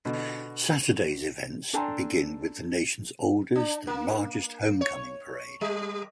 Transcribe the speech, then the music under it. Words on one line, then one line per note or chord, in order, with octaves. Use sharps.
Saturday's events begin with the Nation's oldest and largest Homecoming Parade.
B2 D3
D4 A4 G5 G#5 A#5 C6
D4
A#3
C#5
G3